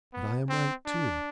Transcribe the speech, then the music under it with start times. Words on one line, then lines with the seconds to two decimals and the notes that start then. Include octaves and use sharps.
'But I am right, too.
0.13 B3
0.49 C4
0.86 D4